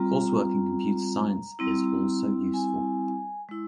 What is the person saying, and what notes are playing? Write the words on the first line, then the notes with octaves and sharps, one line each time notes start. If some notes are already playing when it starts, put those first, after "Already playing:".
Coursework in computer science is also useful.
Already playing: G3 C4 F4 A#5
G3 C4 E4
G#5
G#3 E4